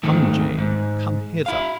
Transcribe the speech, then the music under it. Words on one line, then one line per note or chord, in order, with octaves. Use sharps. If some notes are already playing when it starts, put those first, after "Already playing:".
"Come, Jane--come hither."
G#2 D#3 A3
G#2
E4 F5